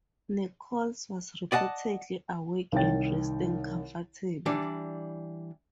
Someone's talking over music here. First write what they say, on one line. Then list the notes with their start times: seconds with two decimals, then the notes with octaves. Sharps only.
Nichols was reportedly awake and resting comfortably.
1.52 D5 D#5 F#5 A5
2.72 C2 D#3 C#5 G5 A6
4.46 E3 G3 D4 D5